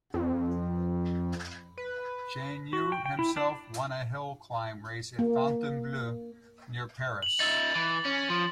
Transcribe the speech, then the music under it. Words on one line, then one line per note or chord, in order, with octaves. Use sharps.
Chaigneau himself won a hill climb race at Fontainebleau, near Paris.
F2
B4
F#4
G5
G5
E4
D4
A#3
F7 F#7
D#4 E5 A6
E3
C#4
F3